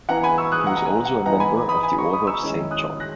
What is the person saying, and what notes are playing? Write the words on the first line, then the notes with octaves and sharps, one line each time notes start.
He was also a member of the Order of Saint John.
E3 B3 E4 F#5 A#5
G#5 B5
C#6 E6
D#6 F#6
F#5 A#5
A#5
G#5
F#5
E3 B3 D#4 F#5 A#5
G#5 B5
B5 D#6
G#5 B5
A#5 C#6
B5 D#6
C#6 E6
D#3 G#3 C#4 E4
D#6 F#6
F#6 A#6